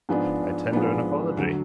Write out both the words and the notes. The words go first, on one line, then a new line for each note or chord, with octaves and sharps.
I tender an apology.
G#2 F3 G#3 B3 D4
G#2 F3 G#3 B3 D4
D2 D3 F#3